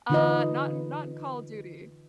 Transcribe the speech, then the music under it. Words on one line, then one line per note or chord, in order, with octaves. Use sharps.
Uh, not in not in Call of Duty.
D3 E3 D#4 F4 B4 D#5